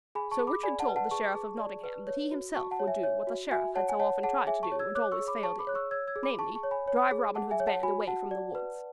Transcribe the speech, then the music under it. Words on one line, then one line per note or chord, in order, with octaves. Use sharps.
So Richard told the Sheriff of Nottingham that he himself would do what the Sheriff had so often tried to do and always failed in--namely drive Robin Hood's band away from the woods.
G#4 G#5 B5
A5 C#6
G#4
B5 D6
D5 G#5 B5
F#5 A5
B4
F#5 A5
G#4 A5 C#6
G#4
D5
B4
C#5
F#4
F#4 A5 C#6
F#5 A5
C#5
E5 G#5
C#5
F#4
F#4 E5 G#5
C#5 F#5 A5
G#5
C#5 F#5 A5
G#4 F#5 A5
G#4 E5 G#5
A5 C#6
C#5
E6 G#6
C#5 D6 F#6
C#6 E6
G#4
B5 D6
G#4 A5 C#6
B5 D6
C#5 F#6
C#6 E6
C#5 E6 G#6
E6 G#6
G#4
B5 D6
G#4 A5 C#6
A5 C#6
C#5
G#5 B5
C#5
G#4
G#4 F#5 A5
E5 G#5
C#5
F#5 A5
F#4 G#5 B5
F#4 F#5 A5
D5
B4